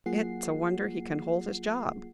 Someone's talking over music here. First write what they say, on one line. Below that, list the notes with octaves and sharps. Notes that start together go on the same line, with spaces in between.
"It's a wonder he can hold his job."
F#3 A#3 F4 G#4 F#5 C7